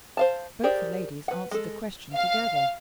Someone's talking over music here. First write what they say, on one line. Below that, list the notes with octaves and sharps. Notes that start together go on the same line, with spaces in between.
Both the ladies answered the question together.
C5 F5 A5
G4 G#4 A#4 C5 D5
B4 F#5
G#3 A4
F5